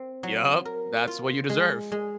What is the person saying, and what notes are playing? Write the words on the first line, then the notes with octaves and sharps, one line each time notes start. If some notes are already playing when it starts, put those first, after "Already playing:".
Yup. That's what you deserve.
Already playing: C4
F#3
A#4
F4
G#3
G#3